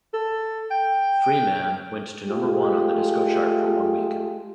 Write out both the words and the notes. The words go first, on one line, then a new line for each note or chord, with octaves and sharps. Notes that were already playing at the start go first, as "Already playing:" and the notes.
"Free Man" went to number one on the disco chart for one week.
A4
G5
G#3 A3 F4 G4